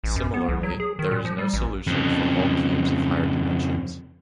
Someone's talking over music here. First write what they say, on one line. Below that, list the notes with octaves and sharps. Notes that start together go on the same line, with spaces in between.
Similarly, there is no solution for all cubes of higher dimensions.
A1
F#2
B3
C2
F#3
G#4
D#3
A#2
F3
G3
A1
F2 C#3